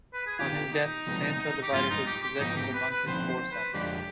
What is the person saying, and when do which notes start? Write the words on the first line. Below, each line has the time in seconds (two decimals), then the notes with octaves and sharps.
On his death, Sancho divided his possessions among his four sons.
0.13 B4
0.27 G#4
0.39 D#3 B3 F4 G4
0.73 D#4
1.07 C3 F3 G#3 B3
1.63 G4
1.73 G2 F3 G#3 B3 F4
1.90 D#4
2.07 G4
2.23 G4
2.40 G#2 F3 B3 D#4 F4
2.57 G4
2.73 B4
2.90 B4
3.07 D3 F3 C4 D#4 C5
3.30 C5
3.51 B4
3.74 F2 D3 G#3 D4 F4 G4